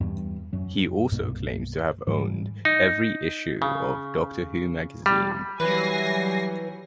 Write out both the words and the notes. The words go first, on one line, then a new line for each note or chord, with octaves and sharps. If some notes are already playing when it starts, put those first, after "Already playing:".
He also claims to have owned every issue of Doctor Who Magazine.
E2 G2
F#2 F#3
C2 G2 B2 A#3
G#2 E3 G3
D#4
C#3
G3
E3 F#3 G3 B4 G#5 A#6 C7